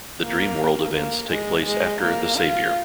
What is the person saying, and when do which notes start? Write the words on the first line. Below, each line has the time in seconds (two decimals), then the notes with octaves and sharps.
The Dream World events take place after "The Savior".
0.22 A#3
0.94 A#3
1.30 G#3
1.65 G#3
2.01 A#3
2.36 F4